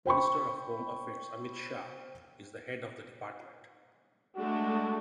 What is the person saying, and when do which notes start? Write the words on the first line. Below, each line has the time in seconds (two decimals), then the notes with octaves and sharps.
Minister of Home Affairs Amit Shah is the head of the department.
0.06 C5 G5 B5 C#6
4.36 G#3 A3 D4 F#4